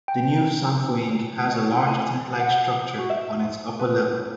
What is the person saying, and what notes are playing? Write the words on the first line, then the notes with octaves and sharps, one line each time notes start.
The new south wing has a large 'tent-like' structure on its upper level.
G5
C#5
G#5
F#5
F#4
E5
B4